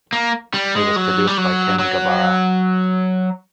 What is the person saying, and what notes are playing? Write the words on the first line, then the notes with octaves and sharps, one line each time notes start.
It was produced by Kim Gabara.
A#3
G3
G#3
F#3
G3
F#3
F#3